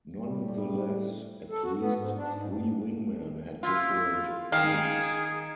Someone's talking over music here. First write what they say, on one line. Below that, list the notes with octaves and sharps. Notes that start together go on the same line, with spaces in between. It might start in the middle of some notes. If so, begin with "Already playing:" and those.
Nonetheless, at least three wingmen had different views.
A2 G3
A4
F#4
B3
G#2
D4
G#2
G2
E4 F4
D#3 G#4 F5